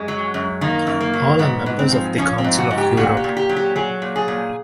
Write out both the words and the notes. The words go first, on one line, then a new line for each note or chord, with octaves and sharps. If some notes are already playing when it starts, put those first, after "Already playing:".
All are members of the Council of Europe.
Already playing: F#2 G#3
F#3
F#2
D#3 A#3
F#2
A#3
F#3
G#2 B3
G#2
C4
F3
F3 C#4
C4
G#2
F#4
G#2
G4
A#2 F#4
G4
A#2
G4
F#3
G4
F#3 G#4
A#2
G#4
A#2